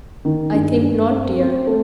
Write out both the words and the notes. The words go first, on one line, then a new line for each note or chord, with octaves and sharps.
'I think not, dear.
D#3
G2
G2
C4
C4
A3